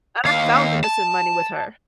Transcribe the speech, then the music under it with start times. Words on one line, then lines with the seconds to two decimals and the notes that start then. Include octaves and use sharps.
And I found the missing money with her.
0.25 D#2 F5
0.84 A5